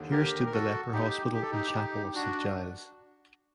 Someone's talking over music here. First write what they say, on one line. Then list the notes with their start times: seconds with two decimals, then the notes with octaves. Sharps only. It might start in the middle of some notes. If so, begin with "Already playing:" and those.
Here stood the leper hospital and chapel of Saint Giles.
Already playing: D#2 D3
0.11 G4 A#4
0.46 A#4
0.52 F#4 A4
0.93 D#4 G4
1.34 G4
1.42 A4
1.51 D#4 G4
1.74 D#4 G4
2.14 D4 F#4